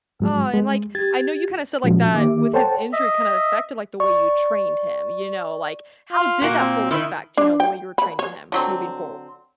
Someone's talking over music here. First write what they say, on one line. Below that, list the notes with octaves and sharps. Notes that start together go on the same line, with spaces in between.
Aw, and, like, I know you, kinda, said like that, with his injury, kind of, affected, like, the way you trained him, you know, like, how did that fully affect, you know, the way you were training him moving forwar
G#2 F#3 G#3
G#3
G4 G#6 A6
A#2 F3 G#3 C#4 F#4
D#3 A#3 G4 E5 D6
A4 C5 C#5 F#5 G5 A5
D#5 E5
D5 C#6
F4
A#2 A#3 F#4
C4
D#3 E4
D4
G5
B5
C#5
D3 F#3 C4